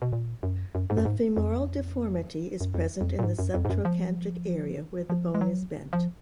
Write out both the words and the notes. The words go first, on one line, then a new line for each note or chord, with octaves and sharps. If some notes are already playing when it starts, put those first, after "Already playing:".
The femoral deformity is present in the subtrochantric area where the bone is bent.
B2
A#2
F#2
F#2
G#2
F#2
G#2
F2
F#2
F2
F2
A#2
G#2
F#2
F2
G#2
F#2
F3
F3
G#3
F#3
F3